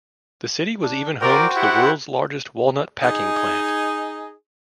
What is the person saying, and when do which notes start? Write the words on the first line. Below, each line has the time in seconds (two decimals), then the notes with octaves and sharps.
The city was even home to the world's largest walnut packing plant.
0.83 D4
1.21 F#4 A#4 C5 D5 G5
1.56 E4 G4 F#5
3.02 D#4 G#4 D#5 G#5